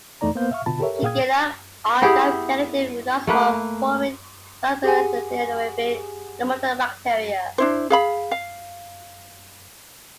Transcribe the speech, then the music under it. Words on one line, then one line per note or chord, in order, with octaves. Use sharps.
Shigellae are Gram-negative, nonspore-forming, facultatively anaerobic, nonmotile bacteria.
E2 A3 D#4 D5 A#5
A#3 B3 C5 F5 G6
E5 F5 C#6 F6
B2 D3 F4 A5 B5
G4 A4 A#4 C#5 E5
A#2 G#4 F5 G5 D#6 G#6
B3 E4 G4 G#4
A3 A#3 B4
G4 G#4 F#5 G#5
D4 E4 C5
G#4 F5 B5
F5